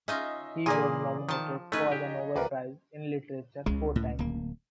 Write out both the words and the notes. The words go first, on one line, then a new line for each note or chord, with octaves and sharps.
He was nominated for the Nobel Prize in Literature four times.
C#4 D#4 F4 D#5 E5
A#2 E3 A#3 G#4 D5 D#6
D#3 F3 A5
A3 C#4 D#4 B4 D#5 G#6
G4
D2 A#4 B4 D5
C#2 C#3 G#3
A2
D1 A#3